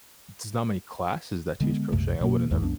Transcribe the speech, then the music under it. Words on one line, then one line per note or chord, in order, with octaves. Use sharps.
there's not many classes that teach crochet I wouldn't
D3 G#3 B3
C2 F#2 C3 A3
B2 A3 A#3
E1 D#2 G#2 D#3
C2 F#2 B3 D4